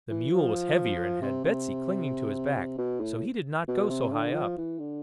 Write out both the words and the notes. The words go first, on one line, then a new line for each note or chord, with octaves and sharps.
The mule was heavier and had Betsy clinging to his back, so he did not go so high up.
E3
F3
C3
C3
C3
B2
A2
B2
C3
D3
F3
E3
D3